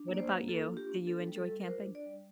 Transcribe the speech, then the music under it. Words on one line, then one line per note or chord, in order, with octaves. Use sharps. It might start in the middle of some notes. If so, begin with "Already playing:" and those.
What about you? Do you enjoy camping?
Already playing: D4
A#3
D5
C5
A#3
F4 A4
D4
G4
A#3
D4 A4
G3
A4
G3
A#4
F4 C5
D4
D5
G3